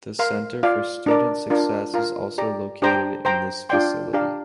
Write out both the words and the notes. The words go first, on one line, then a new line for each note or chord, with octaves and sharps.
The Center for Student Success is also located in this facility.
A#4 F5 C6
F4 D5 F5
D4 A#4 D5
D4 F4 A#4
F4 A#4 F5 A#5
G4 D5 A#5
D4 G4 C5 G5 A#5
C5 G5 A#5
D4 F4 D5 G5 C6
D4 G4 D5 F5 A#5